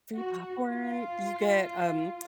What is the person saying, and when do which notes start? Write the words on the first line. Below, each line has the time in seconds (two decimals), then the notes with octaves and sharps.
Free popcorn, you get, um
0.14 F#4
0.70 F4